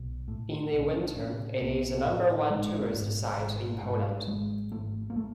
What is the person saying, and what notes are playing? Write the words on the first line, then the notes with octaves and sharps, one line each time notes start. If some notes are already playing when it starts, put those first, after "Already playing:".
In the winter, it is the number one tourist site in Poland.
Already playing: B1
A2
B1
D4
C#4
D4
A2 C#4
B1 B3
A2
G#1 G#3
G#2
G#1
G#2
G#1 G#3
G#1 A3
A#3
A3